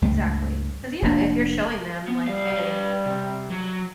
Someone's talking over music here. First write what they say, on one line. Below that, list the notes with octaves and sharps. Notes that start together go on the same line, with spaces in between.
Exactly. 'Cause, yeah, if you're showing them, like, "Hey,
C#2 G2 G#3 A3
F1 A#3 D4
B3
C2 G3 F5
B4 F5
C3
F#3 F#4